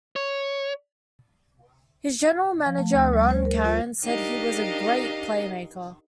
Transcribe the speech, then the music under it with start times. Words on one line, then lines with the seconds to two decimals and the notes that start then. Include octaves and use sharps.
His General Manager Ron Caron said he was A great playmaker.
0.16 C#5
2.66 F3
2.78 A3
2.93 D2
3.13 G3
3.31 C5
3.45 A#4
3.64 F4
4.03 D4 D#4 G4 A#4 D#5 F5